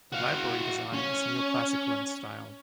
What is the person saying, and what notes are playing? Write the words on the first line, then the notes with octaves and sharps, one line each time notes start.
The library design is neo-classical in style.
F#4 F5
C#4